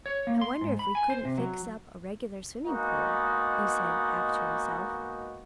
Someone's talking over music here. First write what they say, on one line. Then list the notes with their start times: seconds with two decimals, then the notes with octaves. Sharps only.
"I wonder if we couldn't fix up a regular swimming pool," he said, half to himself.
0.06 C#5
0.27 A#3
0.41 C6
0.61 G#2
0.79 B5
0.95 G#5
1.10 C5
1.25 C3
1.38 F#3
2.66 G#3 A#3 B3 D#4 F#4